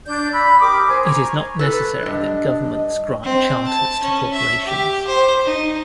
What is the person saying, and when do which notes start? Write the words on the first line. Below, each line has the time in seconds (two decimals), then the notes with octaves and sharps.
It is not necessary that governments grant charters to corporations.
0.07 D4 D5 G6
0.32 B5 E6
0.60 G4 A#4 D6 D#6
0.88 C5 G#5
1.05 G#5 A#5 C#6
1.59 A4 B4
2.03 G2 D4 D#5
3.23 C4
3.66 A5
4.03 C#4
4.33 E5
4.65 G4
5.07 C5
5.45 D#4